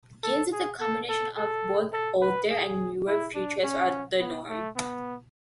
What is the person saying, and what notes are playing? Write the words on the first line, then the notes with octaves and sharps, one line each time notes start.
Games with a combination of both older and newer features are the norm.
A4
G#4
A4
A4
A4
A4
B4
G#4
E4
D4
C#4
B3
A3
B3